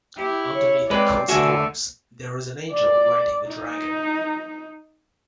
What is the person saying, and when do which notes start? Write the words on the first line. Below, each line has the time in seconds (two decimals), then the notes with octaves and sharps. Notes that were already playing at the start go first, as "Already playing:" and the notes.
Underneath the coats of arms, there is an angel riding a dragon.
0.17 E4 G4
0.53 C#5
0.90 G#3 C4 B4 D5
1.29 D3 A3 F#4 E5 G#5
2.72 D5
3.50 D#4